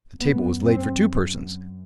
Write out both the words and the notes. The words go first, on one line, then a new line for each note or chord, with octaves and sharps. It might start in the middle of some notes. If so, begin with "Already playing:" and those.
The table was laid for two persons.
F#2 B3
C4